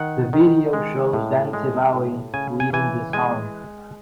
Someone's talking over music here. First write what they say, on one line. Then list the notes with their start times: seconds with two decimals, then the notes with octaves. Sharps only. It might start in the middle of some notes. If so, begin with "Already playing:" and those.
The video shows Dante Bowe leading the song.
Already playing: D#3 F#5
0.33 D#3
0.73 G#3
1.13 A2
1.53 G#3
1.93 A2
2.34 C#3 G#5
2.60 G#5
2.73 E3 G#5
3.13 G#3 G#5